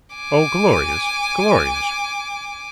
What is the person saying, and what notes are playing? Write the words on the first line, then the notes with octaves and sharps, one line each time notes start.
Oh, glorious, glorious!
G#5 D6